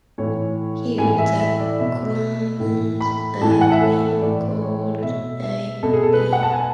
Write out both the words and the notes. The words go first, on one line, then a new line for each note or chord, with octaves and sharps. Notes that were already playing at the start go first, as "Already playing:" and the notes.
Here, the columns are cream colored I-beams.
A2 E3 C#5
A2 E3 G#5
E5
E5
D5
B2 E5
A2 E3
B5
A2 E3 A5
G#5
F#5
E5
A4
A2 E3 D5
C#5
B2 E5
E5
B2 A4
G#4
A4
B4
F#5
A5
G#5